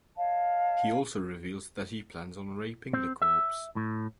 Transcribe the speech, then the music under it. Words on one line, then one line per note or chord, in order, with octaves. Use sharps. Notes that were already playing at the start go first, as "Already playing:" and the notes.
He also reveals that he plans on raping the corpse.
C#5 D#5 F5 A5
C4
E5
A2